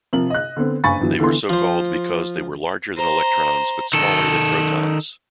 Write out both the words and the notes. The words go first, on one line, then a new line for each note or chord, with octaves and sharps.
They were so-called because they were larger than electrons but smaller than protons.
C3 F3 A#4 F#7
D#5 F#6
D3 B3 C4
F#1 G2 G#5 B5 C#6 A6
G1 E3 F#3
D3 E3 B3 C6
F3 C5
C5 A#5
D#3 A4